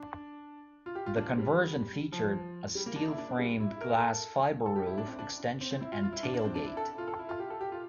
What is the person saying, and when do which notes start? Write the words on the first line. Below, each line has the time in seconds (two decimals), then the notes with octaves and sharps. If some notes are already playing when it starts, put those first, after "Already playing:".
The conversion featured a steel-framed glass fibre roof extension and tailgate.
Already playing: D4
0.86 F4
0.95 G4
1.06 F4
1.16 D4
1.28 C4
1.38 G3
2.12 F3
2.75 G3
2.86 A#3
2.96 D4
3.07 E4
3.18 D4
3.29 C4
3.39 G3
3.60 E4
3.70 E4
3.81 A#4
3.92 A4
4.66 A4
4.76 G4
4.86 E4
4.98 D4
5.07 C4
5.19 D4
5.61 C4
5.71 C4
5.81 E4
5.92 F4
6.03 F4
6.13 E4
6.23 D4
6.34 D4
6.45 C4
6.55 D4
6.66 E4
6.77 A4
6.98 F4
7.08 A4
7.19 E4
7.29 F4
7.40 G4
7.50 A4
7.61 G4
7.72 F4